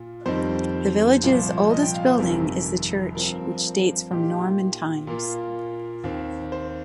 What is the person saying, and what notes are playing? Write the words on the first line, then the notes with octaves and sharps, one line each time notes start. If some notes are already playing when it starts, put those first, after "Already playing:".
The village's oldest building is the church, which dates from Norman times.
Already playing: A#2 F4
F2 D#3 G3 C4 D#4 C5
C2 A#2 F3
D#5
G5
F5
C5
G1 F2 C3 D#3 A#4
G2 F3 C4 A#4
A#2 A#3 D#4 G4
A#2 A#3 F4 A#4
D#2 D#3 C4
C5